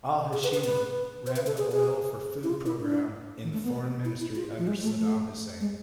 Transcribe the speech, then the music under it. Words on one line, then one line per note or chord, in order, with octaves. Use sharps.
Al-Hashimi ran the oil for food programme in the Foreign Ministry under Saddam Hussein.
G#4
B4
B4
B4
C5
B4
A4
G#4
G#4
E4
F4
E4
D4
E3
A3
B3
E4
E4
F4
F3
G#3
A3
A3
G#3